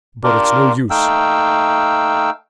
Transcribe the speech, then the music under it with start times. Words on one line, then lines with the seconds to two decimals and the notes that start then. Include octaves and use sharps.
But it's no use.
0.24 D4 F4 G4 A#4 D5
0.90 A3 D#4 F5 G5 E6